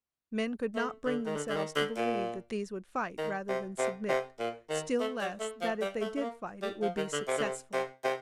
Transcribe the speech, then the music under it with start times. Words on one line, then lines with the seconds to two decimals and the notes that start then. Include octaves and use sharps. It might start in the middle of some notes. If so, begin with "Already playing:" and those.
Men could not bring themselves to believe that these would fight rather than submit, still less that if they did fight it would be successfully.
0.75 A3
1.06 D3
1.26 D#3
1.36 D3
1.49 D3
1.56 D#3
1.76 D3
1.96 A#2
3.18 D#3
3.49 C3
3.78 C3
4.09 C3
4.39 A#2
4.70 D#3
5.00 A3
5.21 G3
5.40 A3
5.61 F3
5.81 G3
6.01 A3
6.16 A3
6.22 A#3
6.62 G3
6.82 F3
6.97 D#3
7.13 D3
7.28 C3
7.37 D3
7.43 C3
7.73 C3
8.04 C3